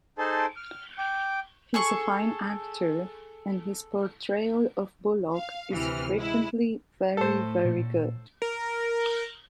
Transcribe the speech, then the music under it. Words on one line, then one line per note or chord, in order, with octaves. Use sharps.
He's a fine actor, and his portrayal of Bullock is frequently very, very good.
D#4 G#4 A4 C5 A5 C6
F6
G5 D6
G#4 A4 C#6
F5
D2 C3 E3 F6
G#3 E4
A2 A4 C5
A#2
A#4